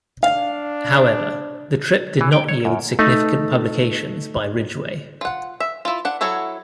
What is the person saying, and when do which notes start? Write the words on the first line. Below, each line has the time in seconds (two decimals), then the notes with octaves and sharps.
However, the trip did not yield significant publications by Ridgway.
0.23 D4 F5
2.21 E3
2.33 G5
2.49 C#5
2.65 F#2
2.99 A3 D#4
5.21 F4 F#5
5.60 E5
5.85 E4 F4
6.05 D4 F#5
6.21 F#3 E4 A4 C#5